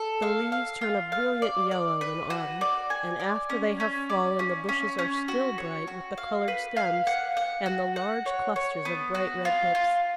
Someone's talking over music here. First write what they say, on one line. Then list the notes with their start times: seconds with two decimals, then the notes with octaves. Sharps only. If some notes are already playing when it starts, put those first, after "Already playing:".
The leaves turn a brilliant yellow in autumn, and after they have fallen the bushes are still bright with the coloured stems and the large clusters of bright-red hips.
Already playing: A4
0.22 F5
0.52 F5
0.81 F4
1.12 F5
1.42 D5
1.71 D5
2.01 B4
2.30 F#4
2.61 D5
2.90 G#5
3.20 D5
3.50 C#4
3.80 C#4
4.10 D5
4.39 C#4
4.69 C#4
4.99 C#4
5.28 F#4
5.58 C#5
5.88 F#4
6.18 F5
6.48 B4
6.76 F5
7.07 F#5
7.37 F#5
7.66 F#4
7.96 F#5
8.26 C#5
8.56 C#5
8.85 B3
9.15 F#4
9.45 F4
9.75 F4